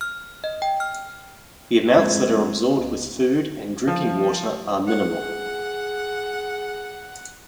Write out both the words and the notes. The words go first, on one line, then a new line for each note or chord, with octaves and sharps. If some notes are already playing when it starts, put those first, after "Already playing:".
The amounts that are absorbed with food and drinking water are minimal.
F6
D#5
G5
F6
F2 G#2 G#3 G#6
B2
C#2
F3
G#4 F#5